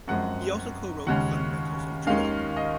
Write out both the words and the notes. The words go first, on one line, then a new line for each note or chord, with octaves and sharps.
He also co wrote "Fundamentals of Judo".
F#2 F3 G#3 C4 F#5
D#2 C#3 G#3 C#4 F#5
D#2 D#3 G#3 C#4 F5
D#5